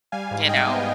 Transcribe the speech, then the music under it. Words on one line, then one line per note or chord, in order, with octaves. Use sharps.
you know,
G3 F5 G#5
G#2
G#2 D#5 G5
B3